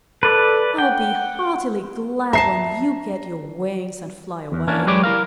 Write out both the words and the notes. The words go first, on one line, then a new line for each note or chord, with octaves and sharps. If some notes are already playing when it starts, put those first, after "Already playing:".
I'll be heartily glad when you get your wings and fly away.
A4 B4 D5
F#5 G5
E5 A5 A#5 C7
E2
E3 A#3 C#4 D4
F#3 G#3 G4 B4 C#5 D5
E4 A#4 F5